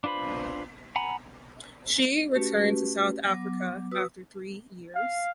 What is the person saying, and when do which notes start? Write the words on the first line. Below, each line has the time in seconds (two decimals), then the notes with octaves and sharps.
She returned to South Africa after three years.
0.04 D4 F4 B4 C5 B5
0.96 F#5 G#5 A#5 B5
2.34 A3 C#4 F#4 G4 B4
3.24 F#3 B3 D6
3.92 F#4 B4 D#6 E6
4.95 F5